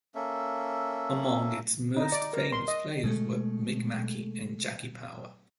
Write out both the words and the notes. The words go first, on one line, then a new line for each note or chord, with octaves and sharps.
Among its most famous players were Mick Mackey and Jackie Power.
A#3 C#4 A4 E5
D#4
D5
A#4
C6
D#5
B2 G#3 A3